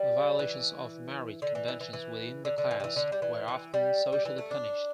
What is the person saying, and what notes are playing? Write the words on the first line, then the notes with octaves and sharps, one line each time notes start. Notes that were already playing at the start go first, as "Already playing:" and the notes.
Violations of marriage conventions within the class were often socially punished.
Already playing: G3
E3
D3
E3
E3
E3
E3
D3
D3
E3
G3
E3
D3
G3
E3
E3
G3
G3
E3
A3
D4